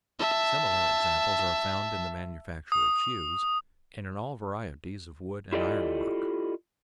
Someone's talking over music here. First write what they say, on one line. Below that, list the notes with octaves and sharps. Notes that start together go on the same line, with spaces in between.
Similar examples are found in the manufacture of shoes, and in all varieties of wood- and iron-work.
E5 A5
D#6
E4 F4 G4 A4 D5 D#5